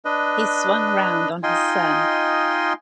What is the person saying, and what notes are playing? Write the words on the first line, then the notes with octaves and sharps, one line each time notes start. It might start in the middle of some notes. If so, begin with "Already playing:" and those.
He swung round on his son.
D4 B4 D#5
D#4 F4 D#5 G5 G#5 C6